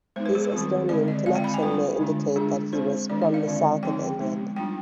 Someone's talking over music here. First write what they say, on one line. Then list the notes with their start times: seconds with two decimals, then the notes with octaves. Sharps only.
His Etonian connection may indicate that he was from the south of England.
0.16 G#3 B3 D#4 C5
0.26 B4
0.35 G#4
0.44 B4
0.53 D#3 G3 C4 F4
0.89 D3 G#3 C4 D5
1.08 D#5
1.26 G#3 C4 F4 F5
1.35 G5
1.44 B5
1.54 G#5
1.63 G3 D4 F4 B4
1.99 D3 G#3 D4 F4
2.36 G#3 D4 F4 G#4
2.73 G#3 C4 F4 C5
3.10 D#3 G#3 D4 D5
3.22 D5
3.34 F5
3.46 D3 G#3 C4 F4
3.83 F3 C4 D#4 G5
4.20 G#3 B3 D#4
4.56 G3 D4 F4 G5